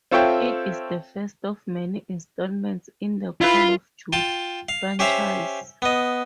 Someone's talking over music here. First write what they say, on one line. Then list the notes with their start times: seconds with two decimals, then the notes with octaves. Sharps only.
It is the first of many installments in the "Call of Duty" franchise.
0.11 C4 F4 A4 C#5 E5 G5
3.41 E4 F4 B4
4.13 F4 G5 A5
4.69 F5
4.99 C#4 G4 C5 E5 F5
5.82 B3 D#5